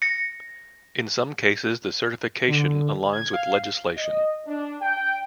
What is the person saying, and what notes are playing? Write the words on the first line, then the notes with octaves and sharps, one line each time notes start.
In some cases the certification aligns with legislation.
A#6 C#7
D3
G#6
F5
D#5
D4
G5